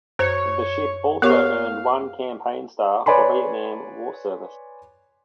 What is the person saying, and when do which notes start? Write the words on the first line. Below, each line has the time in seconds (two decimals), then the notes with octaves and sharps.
The ship also earned one campaign star for Vietnam War service.
0.19 F#2 C5 C#5
1.22 B3 G4 A#4 C#5 F5 C#6
3.06 B4 C#5 D5 G#5 B5 C6